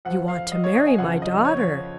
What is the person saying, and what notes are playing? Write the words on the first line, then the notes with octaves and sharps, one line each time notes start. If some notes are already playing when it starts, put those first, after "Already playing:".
"You want to marry my daughter!"
F2 F3 F#5
F5
D#5
C#5
D#5
G#5
F2 C#3 F3 F#5
D#5
C#5
C#5